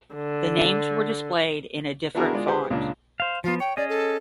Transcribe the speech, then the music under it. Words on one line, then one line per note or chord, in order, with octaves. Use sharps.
The names were displayed in a different font.
D3
B3 D4 E4 F#4 G#4 A#4
G#3 F4 D5
G4 G#4 B4 C5
C#2 A#2 A#3 D4
C5 F5
F3 B3 F4
C#5 G5
C#4 G#4 D5 D#5
A4